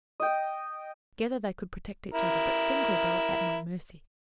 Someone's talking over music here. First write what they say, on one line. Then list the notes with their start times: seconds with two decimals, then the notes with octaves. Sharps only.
Together they could protect each other, but singly they were at my mercy.
0.20 D#5 G5
2.14 E4 A#4